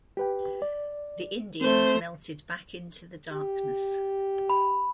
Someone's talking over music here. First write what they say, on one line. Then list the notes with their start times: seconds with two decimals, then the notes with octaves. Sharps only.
The Indians melted back into the darkness.
0.17 G4 B4 G5
0.62 D5
1.61 A3 C4 C5
3.32 G4
4.50 B5